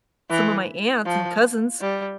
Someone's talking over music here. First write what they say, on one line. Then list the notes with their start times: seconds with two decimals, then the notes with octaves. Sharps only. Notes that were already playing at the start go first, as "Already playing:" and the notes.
some of my aunts and cousins.
0.30 E3
1.05 F3
1.81 G3